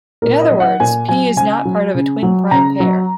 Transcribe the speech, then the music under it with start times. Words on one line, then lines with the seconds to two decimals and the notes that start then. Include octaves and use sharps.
In other words, "p" is not part of a twin prime pair.
0.22 A#2 A#4
0.42 D#5
0.51 F#3
0.60 F#5
0.80 A#2 G#5
1.08 F#3 G#5
1.36 C#3 G#5
1.65 F#3
1.95 C#3
2.23 F#3
2.51 C#3 A#5
2.80 F#3